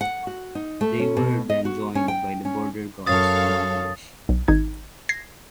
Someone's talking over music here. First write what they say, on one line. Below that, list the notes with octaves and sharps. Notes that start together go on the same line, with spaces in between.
They were then joined by the Border Guards Bangladesh.
F#5
F#4
D#4
A3
C#4
B2
D#5
F#4
C#4
G5
C#4
F#2 A4 C#5 F5 D#6 A6
B1
G#1 D#4 G#6
G#6 A#6 C7